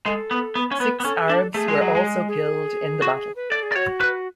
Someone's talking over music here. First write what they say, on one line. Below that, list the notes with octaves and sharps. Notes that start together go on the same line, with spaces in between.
Six Arabs were also killed in the battle.
G#3 A4
B3
B3
C#4
B3 B4
B3
C#4 A4
G#4
D4 A4
A3 G#4
G#3
F#3
G#3
G#4
F#4
B4
A4 D5
G#4
D5
F#4 C#5
B4